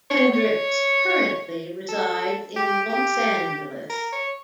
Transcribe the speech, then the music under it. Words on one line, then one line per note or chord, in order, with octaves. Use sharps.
Hendrix currently resides in Los Angeles.
C#5
C#5
A4
G4
G4
A#4
C#5